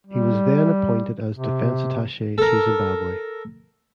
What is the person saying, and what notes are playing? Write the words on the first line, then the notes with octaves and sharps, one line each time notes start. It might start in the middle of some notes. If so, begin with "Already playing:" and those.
He was then appointed as Defence Attache to Zimbabwe.
G3
C3
A4 A#4